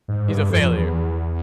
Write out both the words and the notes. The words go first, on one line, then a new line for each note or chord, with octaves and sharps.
He's a failure,
G#2
G2
F2
E2